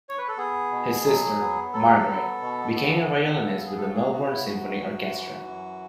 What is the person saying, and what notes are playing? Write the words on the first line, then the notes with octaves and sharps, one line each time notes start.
His sister, Margaret, became a violinist with the Melbourne Symphony Orchestra.
C#5
B4
A4
B3 G#4
B2
F#3
B3
F#3 A4
G#4
A4
B3
B2
B3
B3
C#3
G#4
C#3 A4
G#4
B3 F#4
E4
F#2 F#4
F#2
E3
F#2